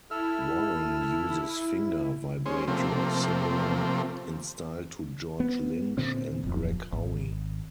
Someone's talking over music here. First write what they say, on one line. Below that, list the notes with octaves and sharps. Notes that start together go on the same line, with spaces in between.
Warren uses finger vibrato, similar in style to George Lynch and Greg Howe.
E4 A4 E6 F6
G#3 C#4 C5
C3 F3 A3 A#3 C4
B3
A#2 D3 C4
D1 F2
G#1